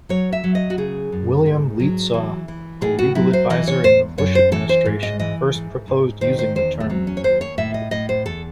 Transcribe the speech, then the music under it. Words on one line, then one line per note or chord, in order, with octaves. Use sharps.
William Lietzau, a legal advisor in the Bush administration first proposed using the term.
F#3 C#5
E5
F#3
D#5
F#4
C#3 G#4
F#2
G#2
F#3
E3
E3
A2 G#4
F#4
F#3 E4
C5
E3 D#5
C#5
E2 C5
F#2 C#5
C5
E3 A4
C5
G#2
D#5
E3 D#5
G#2
G#2
D#3 C5
C5
E2 C5
A3
F#3 C4
C#4
C#5
D#2 C5
C#5
A2 E5
D#5
A2 D#5
C5
E2 A4